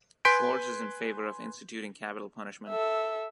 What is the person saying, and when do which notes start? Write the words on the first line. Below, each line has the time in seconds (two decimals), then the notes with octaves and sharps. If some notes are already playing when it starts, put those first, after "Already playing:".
Schwartz is in favor of instituting capital punishment.
0.25 B4 G#5 C6 G6 B6 D7
2.69 A4 E5